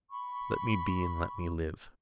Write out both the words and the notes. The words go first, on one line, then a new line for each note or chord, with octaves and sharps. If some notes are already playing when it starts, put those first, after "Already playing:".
Let me be and let me live.
B5 C#6